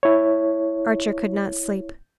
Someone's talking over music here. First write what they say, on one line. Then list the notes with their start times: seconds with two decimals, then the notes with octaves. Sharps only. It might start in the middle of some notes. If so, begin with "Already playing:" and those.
Archer could not sleep.
0.03 E4 C#5